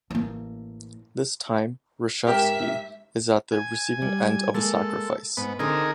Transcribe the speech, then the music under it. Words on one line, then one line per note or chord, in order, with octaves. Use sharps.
This time Reshevsky is at the receiving end of a sacrifice.
A1 A#3
G#2 G4 A#4 E5 G5 B6
G#5
G3
G#3 A#3 A4
G#2 B3
D3 C4 D#4 G#4 A#4